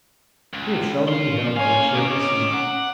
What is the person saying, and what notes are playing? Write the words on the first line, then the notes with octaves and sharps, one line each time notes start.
He had seldom beheld a more cheerful scene.
C#2
F3 C#4 C6
A#3 C#5 F5 G#5
A#4 D#5 D6
F#5